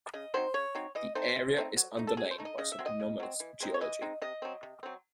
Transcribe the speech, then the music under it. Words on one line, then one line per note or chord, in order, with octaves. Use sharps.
The area is underlain by some anomalous geology.
C#3 D#5
F#3 C4 D#4 C5
C#3 C#5
F#3 C4 D#4
E3 D#5
A3 C4 D#4 C5
E3
A3 C4 D#4
F#3
A3 D#4
A4
F#3 G#4
C5
A3 D#4
D#5
C#3 D#5
E5
F#3 C4
D#5
C#3
F#3 C4
E3
G#3 C4 D#4
C#5
E3 D#5
G#3 C4 D#4
C3 D#5
F#3 C4
C3
F#3 C4